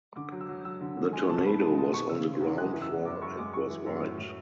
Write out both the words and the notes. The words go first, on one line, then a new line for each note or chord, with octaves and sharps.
The tornado was on the ground for and was wide.
D3 D6
F#3
E6
F#3
F#3 E6
D3
F#3
G#3 G#5
B2 A5
B2 B5
G#3 A5
G#3 A5
B2 C#6
C#3 E6
C#3
E2
G#3 F#6
E3
E6
E3
F#2 D6
F#2 C#6
G#3 D6
F#2 C#6
E3
F#2
A2
A2